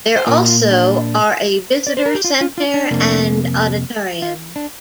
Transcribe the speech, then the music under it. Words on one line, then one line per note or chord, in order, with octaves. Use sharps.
There also are a visitor center and auditorium.
C5
A#2 A#3 F4 A#4
F4
D4
D5
C5
A#4
G4
F4
F4
F4
D4
F2 C3 A#3
F4
D4